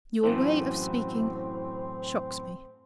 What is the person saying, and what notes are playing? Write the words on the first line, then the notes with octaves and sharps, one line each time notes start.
'Your way of speaking shocks me.
F#2 A2 E3 C4